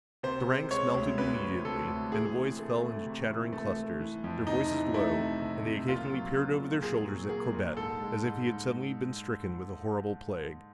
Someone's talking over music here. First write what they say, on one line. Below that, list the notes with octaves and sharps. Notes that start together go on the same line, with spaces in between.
The ranks melted immediately and the boys fell into chattering clusters, their voices low, and they occasionally peered over their shoulders at Corbett as if he had suddenly been stricken with a horrible plague.
C3 C5
G#3
G#3 C#5
D2
D2 B4
C3
C3 A4
D2
E3 G#4
C3
A3
A3
C3
E3
A3
A3
E3
F2
C3 D#4
E3
A3 E4
C3
C3
C3
A#2 F4
F#3
A#2
A#2
A#2 G#4
F#3
A#3 G#4
A#2
G#2 A4
G#3
G#2
G#2